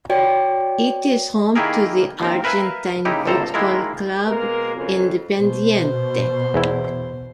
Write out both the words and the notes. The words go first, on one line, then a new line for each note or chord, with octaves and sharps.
It is home to the Argentine football club Independiente.
F#4 C#5 D5 G5
D#3 A#3 E4 G4 G#4 A#4
D#2 C4 A#4
A#4 B4 E5 F5 G#5
C#3 A#3 D#4 E4 G4
G1 C#2 G2 A4 C5 A#5
D#3 G#3 A#3 E4 F4 A#4
B2 G#3 A#3 A#4
F2 C#3
B2 C5
E2 E4